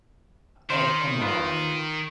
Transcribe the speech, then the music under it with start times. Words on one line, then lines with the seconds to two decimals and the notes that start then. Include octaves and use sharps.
Oh, come on.
0.70 D#3 C5
1.21 F4 B4